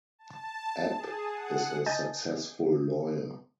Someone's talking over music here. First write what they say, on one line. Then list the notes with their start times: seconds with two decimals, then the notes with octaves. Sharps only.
Epp is a successful lawyer.
0.19 A5
0.92 G#4
1.31 F#5
1.86 D#5 G#5 A5 G6 A6